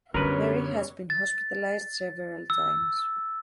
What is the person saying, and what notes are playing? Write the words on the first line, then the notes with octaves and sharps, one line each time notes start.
Mary has been hospitalized several times.
F#2 D3 G3 B3 A#4 B4 C#5
A6
E6